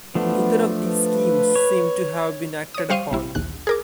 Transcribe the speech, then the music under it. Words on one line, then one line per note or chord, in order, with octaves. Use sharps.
Neither of these schemes seem to have been acted upon.
F3 A3 B3 D4
B4
C#5
C#5 D#6
G3 C5 F5 C6 C#6 D#7
A#1 G3 E4
A#1 D#2 F#6
G#4 A#4 D6